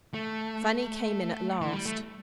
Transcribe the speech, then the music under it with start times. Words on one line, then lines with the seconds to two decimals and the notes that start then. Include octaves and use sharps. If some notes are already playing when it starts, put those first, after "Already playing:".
Fanny came in at last.
0.14 A3
1.61 E3
1.73 G3
1.86 A3